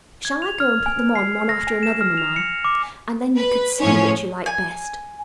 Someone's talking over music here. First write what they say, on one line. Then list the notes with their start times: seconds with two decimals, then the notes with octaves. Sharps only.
'Shall I go and put them on one after another, mamma, and then you could see which you liked best?'
0.25 G#6
0.42 F7
0.60 F6
0.86 G#5
1.15 C7
1.49 A#6
1.67 G#5
1.83 E7
2.01 F6
2.17 F7
2.36 C#7
2.65 D6
3.36 B4
3.80 A2 F3 C#4 C#5
4.46 G#5